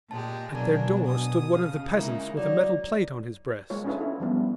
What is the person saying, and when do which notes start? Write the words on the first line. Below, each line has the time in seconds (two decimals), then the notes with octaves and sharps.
At their door stood one of the peasants with a metal plate on his breast.
0.11 A#2 G#3 G4 A5
0.54 B2 F#3 A#3 D4 G#5
1.07 D#6
1.53 C#3 F5
1.95 G#3 A#3 D#4 E4
2.37 F#3 D#4 D5
3.70 G#3 A#3 F4 C#5
3.85 C#4 D4 E4 F4 A4 B4
4.00 E4 A4
4.20 F3 G3 B3